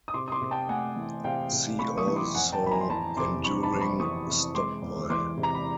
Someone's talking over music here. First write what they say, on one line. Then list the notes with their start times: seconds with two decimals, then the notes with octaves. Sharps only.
See also Enduring Stockpile.
0.08 D#6
0.14 C3 C6 D6
0.28 D#6
0.32 C6 D6
0.41 C3
0.51 G5 A5
0.69 A3 F#5 G#5
0.96 E3
1.24 C3 F5 G5
1.52 C3
1.79 A3 B5 C#6
1.97 C#6 D#6
2.07 E3
2.16 C6 D6
2.34 F2 F#5 G#5
2.52 G5 A5
2.62 F2 B5
2.71 G#5 A#5
2.81 C6
2.90 E3 A5 B5
3.17 C3 C6 D6
3.44 F2 B5 C#6
3.63 A5 B5
3.72 F2
3.81 B5 C#6
4.00 E3 C#6 D#6
4.27 C3
4.55 G#3 C6 D6
4.82 E2
5.10 E3 C6 D6
5.38 C3
5.43 A#5
5.55 B5